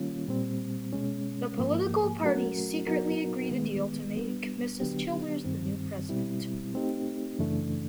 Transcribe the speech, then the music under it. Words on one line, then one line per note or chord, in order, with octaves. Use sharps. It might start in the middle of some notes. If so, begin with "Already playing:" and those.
The political parties secretly agreed a deal to make Mrs Childers the new president.
Already playing: D#3 G3 A#3 C#4 F4
A#2 G3 C4
B2 G#3 C#4
G#2 F3 A#3
F#3 A3 C#4 F#4 A#4
F#3 B3 D#4 F#4 A#4
D#3 G#3 B3
G3 B3 D4
D3 F#3 B3 D4 G4
G2 D#3 G3 C4
B2 G3 C4 E4
A3 C4 D#4 G4
F#2 C#3 E3 A3 D4